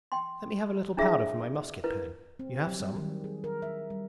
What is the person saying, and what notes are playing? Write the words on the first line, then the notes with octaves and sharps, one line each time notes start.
Let me have a little powder for my musket-pan--you have some?
G5 C6
D4 E4 G#4 E5 F5
E4 A#4 B4
C4
G4
F#3
G3
D#3
G#4
A#4
E5
G3